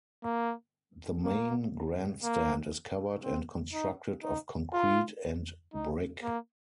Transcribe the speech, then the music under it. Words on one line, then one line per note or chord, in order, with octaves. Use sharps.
The main grandstand is covered and constructed of concrete and brick.
A#3
A#3
A#3
C4
D#4
D#4
F4
D#4
A#3